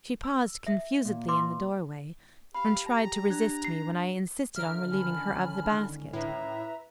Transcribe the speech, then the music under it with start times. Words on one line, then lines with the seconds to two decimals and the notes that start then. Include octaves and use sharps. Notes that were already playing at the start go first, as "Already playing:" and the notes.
She paused confusedly in the doorway, and tried to resist me when I insisted on relieving her of the basket.
0.24 E6
0.67 E5
1.05 A#2
1.28 B4 C6 D6
2.55 G4 F5 B5
2.86 A5 A#5
3.30 D4 F#6 G#6
3.64 C7
4.56 D3 A#4 E5 F6
4.91 C#2 D#3 C#4 G#5 A5 B5
6.13 A2 B4 E5 A#5